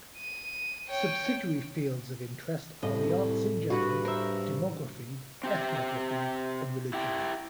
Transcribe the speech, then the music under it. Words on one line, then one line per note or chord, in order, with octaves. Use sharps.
Subsidiary fields of interest are the arts in general, demography, ethnography and religion.
D#7
C#5 G5
C2 A2 D#5
G2 F#4 B4 F#5
A#4 C5 E5 E6
C4 G4 E5
E4 G4